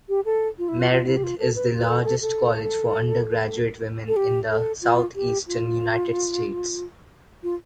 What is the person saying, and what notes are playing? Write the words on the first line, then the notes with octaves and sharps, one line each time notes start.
Meredith is the largest college for undergraduate women in the southeastern United States.
G4
A4
F4
E4
F4
F4
E4
G4
F4
A4
B4
F4
B4
A4
A4
A4
A4
G4
A4
F4
G4
F4
F4